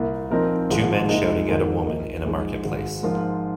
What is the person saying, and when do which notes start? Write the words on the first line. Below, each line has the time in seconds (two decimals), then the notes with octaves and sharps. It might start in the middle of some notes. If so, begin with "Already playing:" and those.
Two men shouting at a woman in a marketplace.
Already playing: C2 A#2 A#3
0.30 A#2 F3 C4 D#4 A#4
0.70 G#1 G#2 F3 G#3
1.09 C2 A#2 G#3 D#4
1.48 G#1 G#2 D#3 A#3 G#4
1.86 A#1 A#2 A#3 D#4 A#4
2.25 A#1 G#2 G#3
2.64 G#1 G#2 G#3
3.03 G#2 F3 A#3 F4